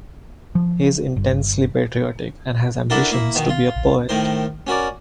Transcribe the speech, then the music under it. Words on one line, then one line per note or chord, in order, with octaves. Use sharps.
He is intensely patriotic and has ambitions to be a poet.
F3
G1
D4 E4 F#4 A4 A#4
A#3 E4
B2 D#3
F4
A2 D#3 A#4 C5
C#4 F#4 A#4 D5